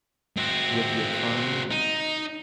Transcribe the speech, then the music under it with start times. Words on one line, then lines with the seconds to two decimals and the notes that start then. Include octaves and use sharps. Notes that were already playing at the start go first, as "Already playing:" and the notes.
with the economy
0.37 C4 F#4
1.71 D#4